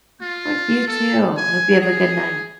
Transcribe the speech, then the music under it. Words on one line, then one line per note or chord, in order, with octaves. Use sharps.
Of course, you too! I hope you have a good night.
F4
A4
G#5
G#4